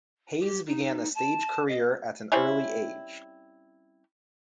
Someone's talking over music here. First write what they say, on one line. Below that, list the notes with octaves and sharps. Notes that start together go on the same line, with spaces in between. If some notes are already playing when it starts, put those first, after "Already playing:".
Hayes began a stage career at an early age.
G4
D#4
A5
D#5
G3 C4 C#4 E4